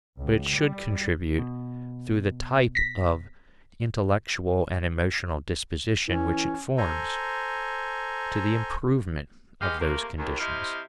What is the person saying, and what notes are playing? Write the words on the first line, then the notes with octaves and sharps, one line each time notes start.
But it should contribute through the type of intellectual and emotional disposition which it forms to the improvement of those conditions.
C#2
G3
B2
A#6 B6
E3 C#4
A4 C5 G#5 A#5
G#3 B3 G4 D#5 F5
C3 A3 A#3
D#2
C3 E4 C5 D#5 F5